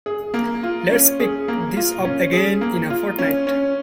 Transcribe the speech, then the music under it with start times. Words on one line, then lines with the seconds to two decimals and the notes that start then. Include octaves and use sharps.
Let's pick this up again in a fortnight.
0.06 G#4
0.34 A#3
0.63 F4
0.90 C#4
1.20 G#4
1.48 A#3
1.77 F4
2.05 C#4
2.33 G#4
2.61 A#3
2.90 F4
3.19 C#4
3.47 C#4